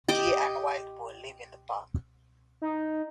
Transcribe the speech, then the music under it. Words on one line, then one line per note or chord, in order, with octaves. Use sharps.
Deer and wild boar live in the park.
G4 D#5 D6
D#4